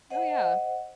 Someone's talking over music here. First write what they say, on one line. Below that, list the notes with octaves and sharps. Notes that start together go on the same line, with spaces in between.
Oh, yeah.
C5 D#5 F#5